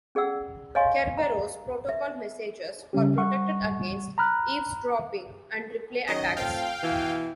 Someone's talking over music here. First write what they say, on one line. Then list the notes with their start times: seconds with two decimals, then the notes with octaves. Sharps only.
Kerberos protocol messages are protected against eavesdropping and replay attacks.
0.15 C#4 G#4 D5 F#5 E6
0.75 C#5 D#5 F5 G#5 C6 C#6
1.18 A#5
1.89 E5
2.93 C#3 G3 C#4 G4
3.18 G3 F#5 C#6
4.18 A#5 B5 F6 F#6
6.07 D#3 F#3 C#4 D#5
6.37 A3 C4 F4 F5 G5
6.82 B2 E3